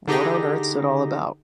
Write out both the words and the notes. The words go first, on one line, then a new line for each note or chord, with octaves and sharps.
What on earth's it all about?
D3 D#4 G4 G#4 A#6